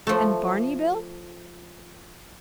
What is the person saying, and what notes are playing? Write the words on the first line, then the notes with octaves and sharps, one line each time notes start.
"And Barney Bill?"
F3 A3